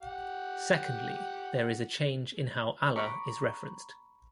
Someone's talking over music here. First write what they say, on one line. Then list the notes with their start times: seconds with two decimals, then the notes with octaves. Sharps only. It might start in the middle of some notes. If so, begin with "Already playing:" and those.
Secondly, there is a change in how Allah is referenced.
0.03 G4 F#5
2.96 A#5 B5 C#6 D6